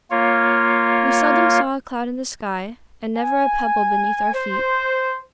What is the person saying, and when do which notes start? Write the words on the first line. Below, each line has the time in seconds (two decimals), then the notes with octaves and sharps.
We seldom saw a cloud in the sky, and never a pebble beneath our feet.
0.11 A#3 F4 C#5
3.17 G#5
4.33 C5